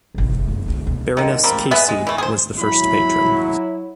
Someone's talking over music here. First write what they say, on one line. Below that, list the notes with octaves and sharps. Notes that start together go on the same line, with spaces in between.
Baroness Casey was the first patron.
A1 C3
F1
F#2
G1 D2
B2
D3 D#3
G3 A#3 C4
G#3 B3 E5
G#3
E3 A3
G#4 C5
F#3 E4 B5